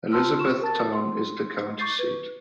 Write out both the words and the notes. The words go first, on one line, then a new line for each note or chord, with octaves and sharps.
Elizabethtown is the county seat.
F4 C5 A5 C6 E6 F6
C#6 E7
A#4 A5 A6
C6
C#6 D6 G6 A6 C7
B4